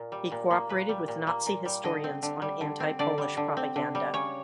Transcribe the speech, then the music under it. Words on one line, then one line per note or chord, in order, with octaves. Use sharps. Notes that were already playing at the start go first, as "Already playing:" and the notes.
He cooperated with Nazi historians on anti-Polish propaganda.
Already playing: A#2 A#3
G3
A#2
A#3
A#2 B4
G3
A#2
A#3
A#2
G3
D3 D#5
C4
D3
G3
D3
C4
D3 D5
G3
D3
C4
D3
G3
C#3 C#5